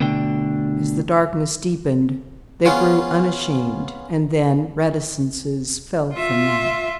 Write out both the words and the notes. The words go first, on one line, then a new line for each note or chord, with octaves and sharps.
As the darkness deepened, they grew unashamed and then reticences fell from them.
D2 B2 D3 D4 G5
B3 C#4 F4 G#4
F4 E5